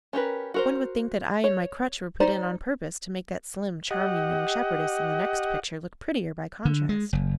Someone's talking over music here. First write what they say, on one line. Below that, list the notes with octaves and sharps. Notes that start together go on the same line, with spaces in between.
'One would think that I and my crutch were put in on purpose to make that slim, charming young shepherdess in the next picture look prettier by contrast.
C#4 G4 A#4 B4
F#4 A#4 C5
C#5
D#4 C5 D5
G4 D#5 F#5
D3
G#3
F#1